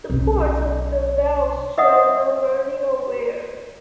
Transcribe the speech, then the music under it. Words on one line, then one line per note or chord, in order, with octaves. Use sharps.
The ports of the valves showed no burning or wear.
B1 C#4
B4 D#5 E5 F#5 D#6